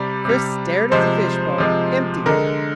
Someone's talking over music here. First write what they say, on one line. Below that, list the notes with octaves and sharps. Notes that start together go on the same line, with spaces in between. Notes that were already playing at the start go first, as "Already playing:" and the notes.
Chris stared at the fishbowl, empty now.
Already playing: C3 G3 D5
C3 G3
C3 F3 G#3 C5
C3 F3 G#3
D3 G#3 A#4